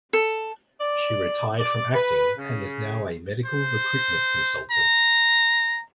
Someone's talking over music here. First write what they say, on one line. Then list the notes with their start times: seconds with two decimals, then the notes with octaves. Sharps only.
She retired from acting, and is now a medical recruitment consultant.
0.13 A4
0.79 D5
1.59 D5
1.94 B4
2.38 C#3
3.46 C5
4.71 A#5